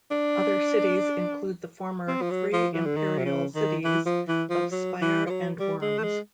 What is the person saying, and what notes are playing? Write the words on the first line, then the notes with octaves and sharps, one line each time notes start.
Other cities include the former Free imperial cities of Speyer and Worms.
D4
C4
F3
F#3
F3
E3
D3
D#3
C3
C#3
D#3
E3
F3
E3
F3
F#3
E3
F3
F#3
G3
G#3
A3
G#3